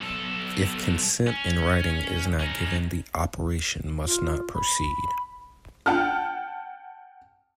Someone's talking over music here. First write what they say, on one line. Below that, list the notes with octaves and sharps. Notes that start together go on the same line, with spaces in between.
If consent in writing is not given the operation must not proceed.
B1 A4
C#4
C#4 D#4
F4
B5
F#5 G5 A5 F6